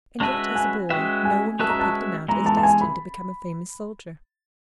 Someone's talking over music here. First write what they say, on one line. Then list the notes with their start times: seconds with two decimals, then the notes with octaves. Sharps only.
And yet, as a boy, no one would have picked him out as destined to become a famous soldier.
0.20 G#3 C#4 F#4 B4 E5 A5
0.55 G#5
0.90 G#3 C#4 F#4 B4 E5 G5
1.25 G#5
1.59 G#3 C#4 F#4 B4 E5 A5
1.69 A#5
1.80 A5
2.28 E3 G#3 B3 A#5
2.46 A5
2.57 A5
2.63 G#5
2.81 B5